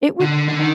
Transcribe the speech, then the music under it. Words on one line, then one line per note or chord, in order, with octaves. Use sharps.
it would
D3
D3
D#3